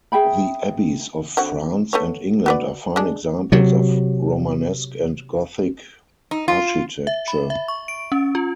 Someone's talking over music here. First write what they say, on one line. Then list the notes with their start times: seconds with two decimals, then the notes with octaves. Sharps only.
The abbeys of France and England are fine examples of Romanesque and Gothic architecture.
0.12 G#4 E5 G5 B5
1.37 D3 C4 F#4
1.93 A3 B3 C#5
2.46 F#4 B4 D5
2.96 G#3 D4
3.52 C3 F#3
6.31 D#4
6.48 F4
7.07 E5
7.28 B5
7.50 E5
7.68 C#6
7.88 D7
8.12 C#4
8.35 F4